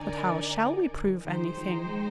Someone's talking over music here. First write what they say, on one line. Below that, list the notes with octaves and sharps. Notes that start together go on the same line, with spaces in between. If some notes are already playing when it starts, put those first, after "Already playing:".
"But how shall we prove anything?"
Already playing: D3 D#4 A#4 D5 G#5
D3
D#3 D#4 G#4 C5 G5
F3
G#3